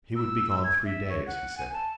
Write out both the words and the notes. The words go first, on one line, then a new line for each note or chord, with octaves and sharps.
He would be gone three days, he said.
E6
G#6
E5
C#5
F#5
G#5
A5